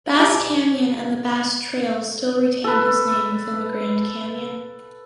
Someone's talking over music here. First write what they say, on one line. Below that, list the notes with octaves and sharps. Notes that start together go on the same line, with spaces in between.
Bass Canyon and the Bass Trails still retain his name within the Grand Canyon.
G4 A#4 D5 G#5 A5 D6
A4 B4